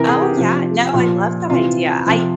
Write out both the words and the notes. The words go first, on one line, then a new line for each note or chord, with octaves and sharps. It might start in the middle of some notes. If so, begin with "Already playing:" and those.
Oh, yeah, no, I love that idea. I
Already playing: C3 E3 A#4
G#4
G4
C3 F3
A#2 F3
C3 E3 F4
C3 F3